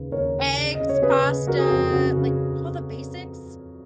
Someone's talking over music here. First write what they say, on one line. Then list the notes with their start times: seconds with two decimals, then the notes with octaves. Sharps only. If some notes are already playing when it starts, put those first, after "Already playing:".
eggs, pasta, like, all the basics,
Already playing: D#2 C#3 B4
0.12 D#2 A#4 C#5
0.35 C#3
0.58 C#3
0.74 D#5
0.80 C#3
0.89 C#5
1.02 C#3 G#4 B4
1.25 C#3
1.47 C#3 F#4 A#4
1.59 G#4
1.71 F2 F#4
1.82 G#4
1.93 C#3 F#4
2.16 C#3